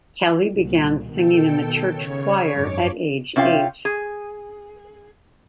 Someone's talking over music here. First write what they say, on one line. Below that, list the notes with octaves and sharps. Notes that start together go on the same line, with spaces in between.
Kelly began singing in the church choir at age eight.
C2 A#2
B2 D#3 A4 G5
C#3 C#5
G#1 F#2 C#5 D6
C3 C#4 F4 B4 G5
G#4